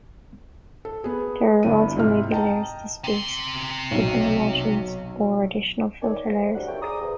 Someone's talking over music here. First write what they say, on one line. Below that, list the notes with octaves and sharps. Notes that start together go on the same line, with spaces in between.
There also may be layers to space different emulsions, or additional filter layers.
A4
B3 G#4
G1 G2 E4 D#7
G#2 C3 E4 F4 F6
D#5 G5 A5 A#5
C3 C6
B1 F#3
D#3 C#5 D5 G#5
A2 E3 F3
D2 F#3 G3 F#5
C3 D#3 A3 C#5 G5
G#4 C5 D5 A#5 D#6
E2